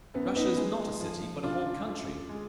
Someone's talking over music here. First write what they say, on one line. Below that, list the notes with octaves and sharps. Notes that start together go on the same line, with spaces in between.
Russia is not a city, but a whole country....
F#2 B3
B3 D#4
G#3
F3
F#2 D4 F4
F#2
G#3